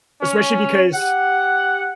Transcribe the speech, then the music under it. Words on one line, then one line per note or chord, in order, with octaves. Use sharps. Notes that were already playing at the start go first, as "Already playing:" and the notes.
especially because,
C#4
G4 F#5